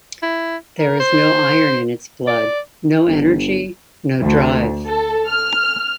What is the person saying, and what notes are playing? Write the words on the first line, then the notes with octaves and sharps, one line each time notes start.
There is no iron in its blood, no energy, no drive.
E4
A#4
C5
D5
G1
D2
A4
F6